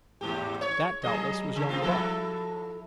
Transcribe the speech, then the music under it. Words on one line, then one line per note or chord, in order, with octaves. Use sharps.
That, doubtless, was young Buck.
E2 G#2 G4
C#5
F#3 G#4 D#5
C#3
A#3 C4 F4
F3 E4 A4